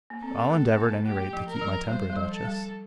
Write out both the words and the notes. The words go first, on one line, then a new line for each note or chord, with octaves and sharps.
"I'll endeavour at any rate to keep my temper, Duchess."
A#3
C4 A4
A3
A3
A#3
A3 G4
F3
A#4
F3
G3 C5
G3
F3
A4
G3